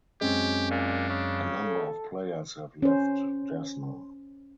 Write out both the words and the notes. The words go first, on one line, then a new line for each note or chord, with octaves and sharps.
A number of players have left Desna.
F#2 G#3 C4 C#4 G4
A#2 D4
C#3
A4
C#4 C5